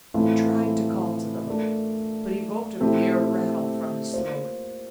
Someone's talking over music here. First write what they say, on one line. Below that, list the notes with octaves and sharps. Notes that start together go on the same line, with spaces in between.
He tried to call to them, but evoked a mere rattle from his throat.
A2 E3 A3 C4 F4
A3 D4 F4 A#4 D5
A#2 A3 C4 E4 G4
A#3 F4 C5